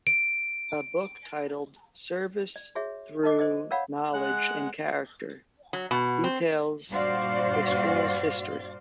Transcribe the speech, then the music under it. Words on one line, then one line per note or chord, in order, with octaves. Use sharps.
A book titled "Service Through Knowledge and Character" details the school's history.
D7
D5
F#4 G#4 C#5 E5
D#4 A#4 D#5 D6
C5 D5 D#5 D#6
A#4 C#5 D5 F5 F#5 B5
G#3 F#5 F#6
F#3
B2
C4
G2 A#2 F#4 C5 D5 F5